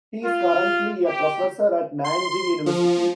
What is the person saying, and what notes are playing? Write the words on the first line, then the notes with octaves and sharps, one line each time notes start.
He is currently a professor at Nanjing University.
F4
G4
C6
F3